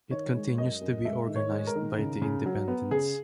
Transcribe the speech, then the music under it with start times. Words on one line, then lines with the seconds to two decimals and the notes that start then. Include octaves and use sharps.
It continues to be organized by The Independents.
0.11 D#3 C#5
0.35 G#3
0.58 F#2 D#5
0.81 F#2
1.05 G#3 E5
1.28 D#3
1.36 C#5
1.52 G#3
1.67 A#4
1.75 D#3
1.98 C#3
2.22 C#3
2.46 F#3
2.68 B3
2.91 C#3 G#4